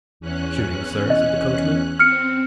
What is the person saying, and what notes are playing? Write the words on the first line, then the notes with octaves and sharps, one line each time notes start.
'Shooting, sir?' said the coachman.
E2 C#4 F#6
D#5
C4 F6 C#7